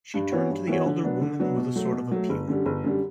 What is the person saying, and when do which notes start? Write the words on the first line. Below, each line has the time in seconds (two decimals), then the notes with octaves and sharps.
She turned to the elder woman with a sort of appeal.
0.14 G2
0.32 E3 B3 F#4 C#5
0.50 G2
0.67 E3 B3 F#4 C#5
0.86 D3
1.04 F#3 B3 D4
1.21 D3
1.39 F#3 B3 D4
1.58 B2
1.76 F#3 A3
1.93 B2
2.11 F#3 A3
2.29 G1
2.48 F#2 D3 G3
2.66 G1
2.84 F#2 D3 G3